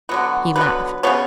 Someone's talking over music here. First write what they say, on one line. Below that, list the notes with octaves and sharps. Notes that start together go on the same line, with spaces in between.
He laughed.
D3 F#3 B3 F#4
D3 F#3 B3 B4
C#3 G#3 B3 C#5